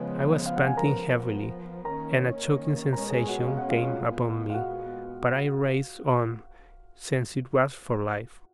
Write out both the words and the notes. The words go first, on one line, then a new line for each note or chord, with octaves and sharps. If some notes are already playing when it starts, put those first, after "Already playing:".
I was panting heavily, and a choking sensation came upon me, but I raced on, since it was for life.
Already playing: C#3 F3 G#3 B3 B4
F5
F#5
G#5
F3 B3 A#4 A#5
D#3 A#3 C#4 A#4 A#5
B2 G#3 C#4 A#4 A#5
G#4 G#5
F#4 F#5
F5
F#5
F4 F5
A#2 G#3 B3
F5
F#4 F#5